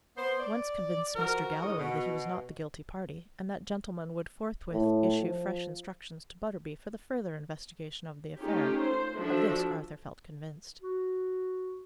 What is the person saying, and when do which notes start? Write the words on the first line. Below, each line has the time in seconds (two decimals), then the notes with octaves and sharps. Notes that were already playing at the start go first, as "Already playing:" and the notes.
Once convince Mr. Galloway that he was not the guilty party, and that gentleman would forthwith issue fresh instructions to Butterby for the further investigation of the affair: of this Arthur felt convinced.
0.17 B3 C5
0.40 D5
1.16 F3 F#4 A#4
1.61 E2 G#2 G#3 C#5 D#5
1.78 B2
4.73 A2
5.22 F3
8.38 A3 C#4 D#4 F4 G4
8.80 C5
9.16 F3 D4 F#4 A4 E5
10.82 F#4